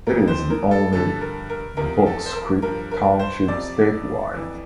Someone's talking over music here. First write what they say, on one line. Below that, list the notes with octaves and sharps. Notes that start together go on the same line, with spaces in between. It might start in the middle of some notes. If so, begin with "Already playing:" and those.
It is the only Bokescreek Township statewide.
F2 E3 A#4
C5
A#4
A4
G2 D3 F3 A4
A#4
A#4
E2 C3 F3 A#4
A4
C5
A#4
G2 F3 A#4
A#4
C5
F2 C3 F3 D5
F2 E3